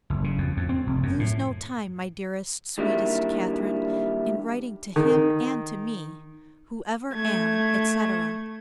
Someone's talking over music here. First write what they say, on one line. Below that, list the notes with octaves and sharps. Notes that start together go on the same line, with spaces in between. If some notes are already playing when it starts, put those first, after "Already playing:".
Lose no time, my dearest, sweetest Catherine, in writing to him and to me, Who ever am, etc.
F#1
C#3
F2
F2
C4
F1
F#2
A2
D#3 F#3 G3 A#3 D4 E4
D#3
A3 G#6